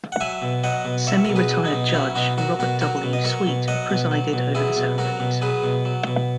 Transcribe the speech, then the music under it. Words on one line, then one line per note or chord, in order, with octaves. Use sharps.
Semi-retired Judge Robert W. Sweet presided over the ceremonies.
F#5
F#3 E5 G#5
B2
F#3 D#5 F#5
B2
F#3 C#5 E5
B2 A#4
G#4 B4
F#3
D#4
B2
D#4
F#3 C#4 E4
B2 D#4 F#4
F#3 F#4 A#4
B2 F#4 A#4
F#3 F#4 A#4
B2
D#5
F#3 A#4 C#5
B2
F#3 D#5 F#5
B2
F#3
B2
F#3 E4 G#4
B2
F#3 F#4 A#4
B2
F#3 G#4 B4
B2
F#3
B2